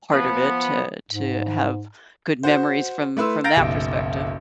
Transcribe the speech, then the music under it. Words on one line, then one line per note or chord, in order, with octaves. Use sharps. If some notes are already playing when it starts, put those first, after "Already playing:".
part of it, uh, to have good memories from from that perspective.
F3 B3
G#2
F#4 C5
A3 E4 B4 C6 E6
F5 A#5 G6 A6 A#6 D7
F#1 B1